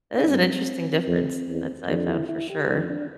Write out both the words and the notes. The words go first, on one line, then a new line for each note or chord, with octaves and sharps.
That is an interesting difference that's I found for sure.
D4
G2 C4
F2
E2
F2 D4
E4
E4
G4
F2 D4
D4